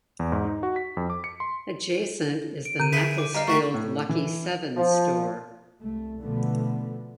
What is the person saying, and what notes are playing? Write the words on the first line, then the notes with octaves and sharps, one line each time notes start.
Adjacent is the "Macclesfield Lucky Seven" store.
E2
G#2
D#4
F#4
B6
F2
D6
C#7
C6
D7
D3 G6 D#7
E4 G#4 B4
D6
G2 D#5 A#5 F6 C7
A3 F#4 G4 C#6
A2
E3
F3
C2 A3
B2 D3 F3 A3 B3